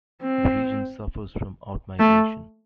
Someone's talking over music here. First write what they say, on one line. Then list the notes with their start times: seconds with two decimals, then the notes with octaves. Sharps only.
The region suffers from out-migration.
0.22 C4
1.99 A3